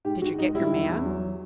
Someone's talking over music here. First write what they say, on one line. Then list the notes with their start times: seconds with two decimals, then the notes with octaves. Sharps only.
"Did you get your man?"
0.05 G#2 G4
0.21 G#2 F#4
0.38 G#2 D#4
0.55 G3 E4
0.72 E2
0.89 E2
1.06 F#3